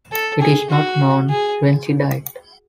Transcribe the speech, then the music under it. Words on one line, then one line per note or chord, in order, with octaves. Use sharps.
It is not known when she died.
A4
G#4
F#4
G#4